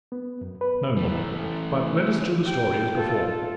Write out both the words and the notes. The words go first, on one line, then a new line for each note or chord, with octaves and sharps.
No more; But let us to the story as before.
B3
F#2
B4
E3 A3
G4 G5
F4 A4